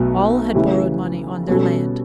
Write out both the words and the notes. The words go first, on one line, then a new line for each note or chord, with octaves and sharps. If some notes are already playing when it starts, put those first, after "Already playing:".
All had borrowed money on their land.
Already playing: B1 B2 F#3 A3
C#3 E3 A3 C#4 G4
B2 G3 C#4 F#4 A4